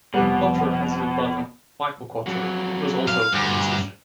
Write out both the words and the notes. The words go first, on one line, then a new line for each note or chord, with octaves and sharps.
Quatro has a brother, Michael Quatro, who is also a musician.
F1 B2 G3 B4 F#5
F2 F#3
F5
D2 G2